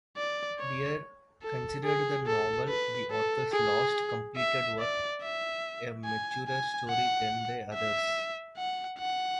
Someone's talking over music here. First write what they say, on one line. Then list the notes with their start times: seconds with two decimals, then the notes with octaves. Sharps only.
Dear considered the novel-the author's last completed work-a maturer story than the others.
0.17 D5
0.59 C#5
1.43 A4
1.84 G#4
2.27 A4
2.69 B4
3.11 A4
3.52 G#4
4.36 E5
4.80 D5
5.21 E5
6.05 G#5
6.48 G#5
6.90 F#5
7.73 E5
8.57 F#5
8.99 F#5